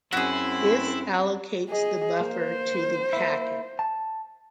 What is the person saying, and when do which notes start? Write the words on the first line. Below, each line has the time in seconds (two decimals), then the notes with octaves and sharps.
This allocates the buffer to the packet.
0.13 F#2 C4 E4 F#4 G#4
1.69 G#4 D#5
2.21 A#3 C5
3.13 A#3 E4
3.79 A5